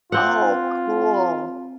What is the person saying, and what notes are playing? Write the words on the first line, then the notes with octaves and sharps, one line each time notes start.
Oh, cool!
C4 F4 F#5